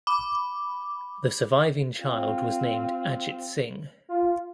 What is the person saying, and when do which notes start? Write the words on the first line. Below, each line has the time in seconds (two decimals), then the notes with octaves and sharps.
The surviving child was named Ajit Singh.
0.07 B5 D6
2.00 C4 F4
4.09 F4